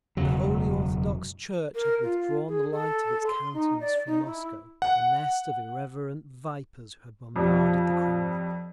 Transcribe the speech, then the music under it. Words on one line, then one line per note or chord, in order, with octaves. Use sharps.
The Holy Orthodox Church had withdrawn the light of its countenance from Moscow, the nest of irreverent vipers who had bombarded the Kremlin.
E1 F#2 C#3 F#3
A#4
F4
G#4
A4
C6
D#4
D5
D#4
E4
F#5
F2 F3 G3